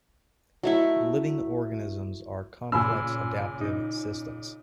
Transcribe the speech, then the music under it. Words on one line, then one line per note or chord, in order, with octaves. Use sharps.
Living organisms are complex adaptive systems.
F#3 A3 E4
A#2 C#3 G#5 B5 C6 E6
D#4